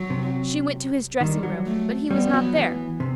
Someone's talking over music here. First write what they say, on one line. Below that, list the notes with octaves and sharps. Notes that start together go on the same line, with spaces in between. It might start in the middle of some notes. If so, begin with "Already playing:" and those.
She went to his dressing-room, but he was not there.
Already playing: F#3
C3
D#3 G3
F#3
A3
G3 B3
F#3
E3
C3